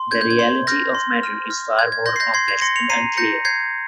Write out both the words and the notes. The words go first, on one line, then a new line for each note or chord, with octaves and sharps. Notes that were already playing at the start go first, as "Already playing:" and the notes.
The reality of the matter is far more complex and unclear.
Already playing: C6
G6 G#6
G6
G#6
C6
F6 G6 A#6
C6
F6
F6
G6 G#6
G#6
C6 G6 A#6
C7
G6 A#6
C6 G#6 C7
G#6
C6 A#6 C#7
C#7 F7
A#5 C7 D#7
G6 A#6 C#7
G6 G#6 C7